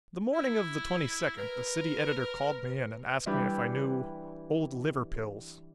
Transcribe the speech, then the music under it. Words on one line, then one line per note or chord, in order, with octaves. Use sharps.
The morning of the twenty-second the City Editor called me in and asked me if I knew "Old Liverpills."
E4
A#4 B4
E3 G3 D4 E4 G4 B4